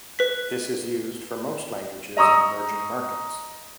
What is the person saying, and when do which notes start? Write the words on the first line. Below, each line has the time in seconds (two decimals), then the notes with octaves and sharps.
This is used for most languages in emerging markets.
0.19 B4 B6
2.17 D#5 A#5 C#6 D#6 E6